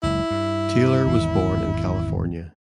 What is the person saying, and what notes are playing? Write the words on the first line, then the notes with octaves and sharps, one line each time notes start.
Taylor was born in California.
F#1 C#2 E4
G2
G#1 E2 E3